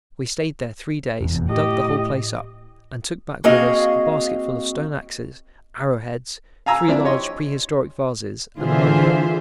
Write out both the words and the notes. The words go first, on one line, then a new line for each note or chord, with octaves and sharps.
We stayed there three days and dug the whole place up and took back with us a basket full of stone axes, arrow-heads, three large prehistoric vases, and the mummy.
F1 E2
A2 G4 D#5
A#3 C4 F#4 G#4 D#5 F5
F5 G#5 A#5 E6
F3 C4 D4 E4 D5
G4 C#5 D#5 C6
D3 E3 F4 G#4 C5 E5